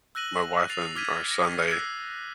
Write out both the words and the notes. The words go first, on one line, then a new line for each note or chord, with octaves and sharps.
my wife and our son, they
E6 F#6 A#6 D#7 F#7
A6 C7 F7
D6 F6 G#6 B6 D#7
A#6
E6 F#6 C7